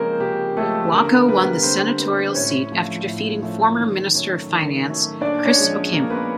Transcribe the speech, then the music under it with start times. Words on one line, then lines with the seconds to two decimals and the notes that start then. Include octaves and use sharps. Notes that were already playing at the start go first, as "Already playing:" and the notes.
Wako won the senotorial seat after defeating former minister of finance Chris Okemo.
Already playing: C#3 F3 G#3 A#3 C4 C#4 A#4 C5
0.20 C#3 G4
0.57 F3 G#3 A3 C#4 A4
0.92 D3 A#3 A#4
1.29 G3 B3 B4
1.36 A#4
1.43 B3 B4
1.63 D3 C4 C5
2.00 G3 B3
2.28 C5
2.35 A2 C#4 C#5
2.72 F3 A3 C#4
3.07 A2
3.43 F3 A3 C#4
3.79 D#3
4.14 F#3 A3 C#4
4.50 D#3
4.86 F#3 A3 C#4
5.21 A#2 D4 D5
5.45 C#4 C#5
5.58 F3 G#3
5.92 A#2 A#3 A#4
6.10 B3 B4